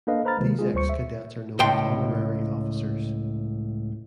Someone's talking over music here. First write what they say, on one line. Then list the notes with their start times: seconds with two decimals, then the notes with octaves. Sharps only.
These ex-cadets are known as "Honorary Officers".
0.07 A#3 D4 A4 B4 D#5 F5
0.25 B4 C5 A#5 B5 F6 A6
0.38 C3 D#3 G#3 A#3
0.59 G#3 F4 G#4
0.74 D2 G3 C5 C#6 C#7
0.89 E5
1.59 C#2 A2 G5 C6